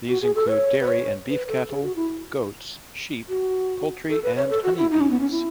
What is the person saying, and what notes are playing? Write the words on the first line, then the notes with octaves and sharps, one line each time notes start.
These include dairy and beef cattle, goats, sheep, poultry and honey bees.
F#4
G#4
A4
C#5
B4
C#5
B4
A4
G#4
F#4
E4
F#4
A4
B4
C#5
A4
F#4
E4
D#4
C#4
B3
C#4
E4